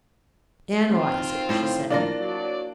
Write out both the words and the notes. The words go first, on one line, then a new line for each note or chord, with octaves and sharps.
"Analyse it," she said.
D#3 C4 F4
A2 C5 F5
A#3 D4 F4 A#4
F#3 F#4 D5